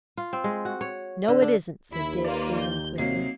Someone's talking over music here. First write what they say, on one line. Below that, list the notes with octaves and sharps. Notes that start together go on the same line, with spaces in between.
'No, it isn't,' said Dick, wheeling quickly.
F4
C4
G#3
F#4
C#5
D3
D4
D#2 E4 B5 B6
A#3 F4 B4 D5
G6
C3 F#3 A#3 D#4 C7